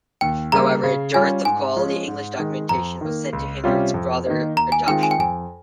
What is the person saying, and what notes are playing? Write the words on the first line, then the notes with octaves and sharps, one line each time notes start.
However, a dearth of quality English documentation was said to hinder its broader adoption.
D#2 G5
C#3 G3 A#3 A#5
C#3
G3 C#4 F4 G#5
G#2 G#5
F3 G#3 C#4 F4
G#2
D#3 G#3
F2 A#5
D#3 A#3
C#2
C3 G3 C#4 F4
F2
D#3 A#3 D#4
D#2 A#5
G#5
D#3 G#3 C4 F4 G5
G#5
G5
F2 G#5